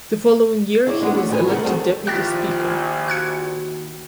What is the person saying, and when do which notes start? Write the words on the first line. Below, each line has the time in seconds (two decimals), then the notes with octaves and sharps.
The following year he was elected Deputy Speaker.
0.86 D#3 E4 G#4 C#5 D5
1.00 D2 G#3 D4 G#4 B4 F#5
1.13 A3 C#4 F#4 G#4
1.29 D#3 F3 G3 B4 G#5
1.47 F#2 C#3 G3 A3 B3 A#4
1.63 D#3 G3 C4 F#4 G#4 A4
2.07 A#1 D#2 F3 E4 G4 F#6 A6 B6
3.08 F#4 F#6 G#6 C#7